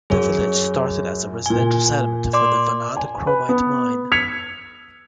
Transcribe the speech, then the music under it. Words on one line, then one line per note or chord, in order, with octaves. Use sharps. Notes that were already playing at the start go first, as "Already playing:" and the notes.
The village started as a residential settlement for the Vanad chromite mine.
F#2 F#3 G#4 C#5
A#2 G#5 G7
D5 C6 D6
G#5
B4
B3
G#6 B6 C#7 F7